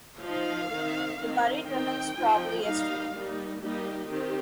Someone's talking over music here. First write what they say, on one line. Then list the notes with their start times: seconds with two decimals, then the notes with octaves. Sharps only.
The buried woman was probably Estrid.
0.22 F3 D#4 F5
0.70 D#3 C4 D#4
1.19 D#3 C4 D#4
1.67 D#3 C4 D#4 G5
2.16 F3 C4 D#4
2.64 G3 A#3 D#4 F5
3.13 G3 A#3 D#4
3.61 G3 A#3 D#4 G4
4.09 D#3 C4 G4